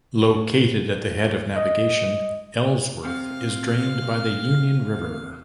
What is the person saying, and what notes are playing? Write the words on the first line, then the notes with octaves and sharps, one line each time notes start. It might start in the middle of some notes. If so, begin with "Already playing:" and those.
Located at the head of navigation, Ellsworth is drained by the Union River.
D#5
C3 F5